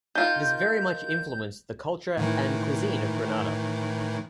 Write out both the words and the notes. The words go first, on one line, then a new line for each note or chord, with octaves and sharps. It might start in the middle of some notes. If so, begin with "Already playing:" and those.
This very much influenced the culture and cuisine of Grenada.
D#3 F4 G6
A2 D#3 E3